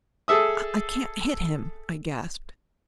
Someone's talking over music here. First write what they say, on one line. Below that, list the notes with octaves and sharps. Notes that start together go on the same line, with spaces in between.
"I can't hit him," I gasped.
G#4 A4 E5 D#6